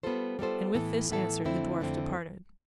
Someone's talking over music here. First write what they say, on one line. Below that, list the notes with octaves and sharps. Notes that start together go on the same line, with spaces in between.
And with this answer the dwarf departed.
G3 B3 F4 A4 C5
G3 B3 F4 A4 C5
A2 E3 B3 E4 A4
A2 E3 B3 E4 A4
F2 D3 A3 C4 E4
F2 D3 A3 C4 E4